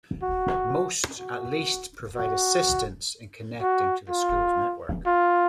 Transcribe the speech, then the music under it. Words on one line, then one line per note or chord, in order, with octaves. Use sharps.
Most, at least, provide assistance in connecting to the school's network.
F#4
F#4
F#4
F#4
F4
F4